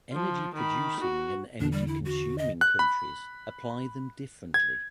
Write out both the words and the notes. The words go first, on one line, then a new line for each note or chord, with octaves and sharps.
Energy producing and energy consuming countries apply them differently.
F3
D#3 B5
F#4
E2 D3 D4
G3
E4
F#4
D#5
F#6
B5
G#6